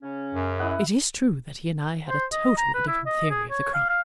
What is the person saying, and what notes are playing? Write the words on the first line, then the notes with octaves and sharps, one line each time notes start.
It is true that he and I had a totally different theory of the crime.
C#3 C#4
F#2
E4 D#5 F#5
C5
D#5
A#5
B4
E4
D#5
G#4
C#5
F5
F5